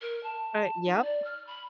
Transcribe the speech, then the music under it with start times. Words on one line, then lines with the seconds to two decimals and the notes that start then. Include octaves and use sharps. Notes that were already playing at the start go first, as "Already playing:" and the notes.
Uh, yep.
0.02 A#4
0.23 A5
0.85 D#4
1.01 D5
1.24 F6
1.47 B5